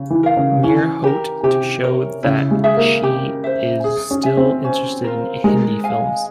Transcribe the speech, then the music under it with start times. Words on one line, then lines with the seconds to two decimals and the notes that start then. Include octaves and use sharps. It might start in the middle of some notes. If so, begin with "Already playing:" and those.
Mere Hote to show that she is still interested in Hindi films.
Already playing: C#3
0.10 E3
0.23 A#4 F5
0.37 C#3
0.63 E3 C#4
1.04 G4 A#4
1.43 C3 G4
1.84 A#4 C#5
2.23 C#3 E4
2.51 G#3
2.64 G#4 E5
2.77 A#3
3.03 G4
3.44 C5 E5
3.84 G#4
4.11 C#4
4.23 E5 G#5
4.37 C4
4.64 C#4
5.04 F4 A#4
5.44 G#3 A#4
5.84 F5 G#5